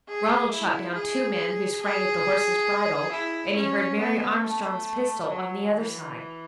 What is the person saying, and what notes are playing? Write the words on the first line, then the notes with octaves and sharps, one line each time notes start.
Ronald shot down two men who sprang at the horse's bridle, and he heard Mary Armstrong's pistol on the other side.
G#4
E4
G#4
G#4
E4
C#4
B3
A3
F#3
E3